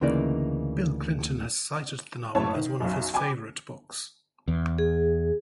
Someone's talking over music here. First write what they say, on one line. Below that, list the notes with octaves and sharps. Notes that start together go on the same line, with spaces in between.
Bill Clinton has cited the novel as one of his favorite books.
D2 C#3 E3 A#3 D#4 D5
F#1 A2 E4 C#5 A5
D#3
B1 F#2
G5 G#5 B5 D6
E2
G#4